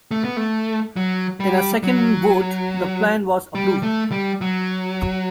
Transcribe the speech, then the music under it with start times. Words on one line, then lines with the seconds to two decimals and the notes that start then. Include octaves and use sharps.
In a second vote the plan was approved.
0.11 A3
0.25 B3
0.37 A3
0.96 F#3
1.40 G3
1.83 F#3
3.55 G3
3.83 A3
4.12 G3
4.41 F#3